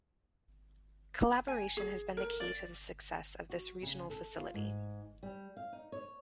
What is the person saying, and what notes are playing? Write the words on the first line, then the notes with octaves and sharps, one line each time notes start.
Collaboration has been the key to the success of this regional facility.
G#5
G#4
A#4
D5
F#4
C#3
A4
F4
G#2
G3
F5
D#4
C#5